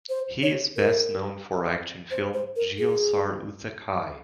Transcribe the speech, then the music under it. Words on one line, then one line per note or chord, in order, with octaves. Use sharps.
He is best known for action film Geo Sar Utha Kay.
C5
C#5
A#4
C5
C5
A#4
G#4